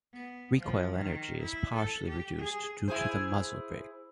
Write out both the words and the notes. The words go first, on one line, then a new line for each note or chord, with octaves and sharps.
Recoil energy is partially reduced due to the muzzle brake.
B3
F3
D#3
E4
A4
G4
G#4
E4 G#4 C5